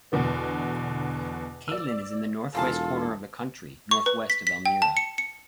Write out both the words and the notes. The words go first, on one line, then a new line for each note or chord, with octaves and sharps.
Catlin is in the northwest corner of the county, northwest of Elmira.
E2 B2 D3 B3
D5 E6
E1 A#3 F4 G#4 A4 A5
C#6
B4
B6
B6
G5
A5
C#7
C#7